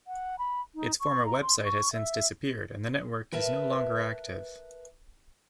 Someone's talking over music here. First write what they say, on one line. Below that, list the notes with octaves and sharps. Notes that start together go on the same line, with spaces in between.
Its former website has since disappeared and the network is no longer active.
F#5
B5
D#4
C#6
A#5
C6
C#6
E5
A#4 B4 E5 A5